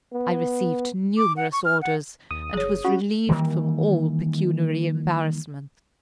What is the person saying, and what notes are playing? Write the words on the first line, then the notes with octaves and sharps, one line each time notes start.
I received numerous orders, and was relieved from all pecuniary embarrassments.
B3
D6
F#5
C#6
F6
F#5
D#2 D#6
F#1 G#4 C#5
C#4 F#4
D#3 E3 G3 A#3